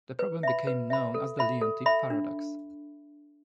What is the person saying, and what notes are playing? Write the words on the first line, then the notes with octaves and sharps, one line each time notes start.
This problem became known as the Leontief paradox.
B4
E5 B5
B4
E5 B5
A4
E5 B5
A4
E5 B5
D4